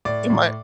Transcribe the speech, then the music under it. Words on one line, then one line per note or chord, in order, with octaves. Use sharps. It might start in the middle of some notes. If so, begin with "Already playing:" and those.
It might
A2 D5
A2